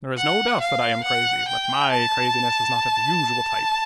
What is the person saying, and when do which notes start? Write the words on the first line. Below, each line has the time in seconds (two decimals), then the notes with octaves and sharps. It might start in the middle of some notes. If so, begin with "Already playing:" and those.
There is no doubt that I am crazy, but my craziness is not of the usual type.
0.17 F#5
0.61 F5
1.04 F#5
1.48 G5
1.91 A5